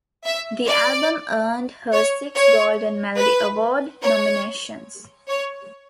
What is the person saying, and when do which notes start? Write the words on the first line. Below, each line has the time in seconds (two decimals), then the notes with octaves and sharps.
The album earned her six Golden Melody Award nominations.
0.25 E5
0.68 D5
1.92 C#5
2.35 C#5
3.18 B4
4.02 C#5
5.28 C#5